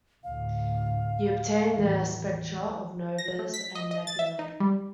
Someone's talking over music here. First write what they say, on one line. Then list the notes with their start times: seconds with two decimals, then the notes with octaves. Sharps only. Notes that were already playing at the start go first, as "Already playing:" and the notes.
He obtained a spectra of novas and nebulae.
0.24 D2 A2 F5
1.72 D#2 A2 E3
3.18 A#6
3.39 A3
3.54 B6
3.75 D#5
3.91 D#5
4.07 A6
4.19 E5
4.39 D#4
4.60 G3